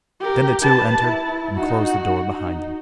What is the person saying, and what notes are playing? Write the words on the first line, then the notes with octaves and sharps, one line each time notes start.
Then the two entered and closed the door behind them.
G4 A#4
B4 A5
E4
D#4 F#4
F#4
D#4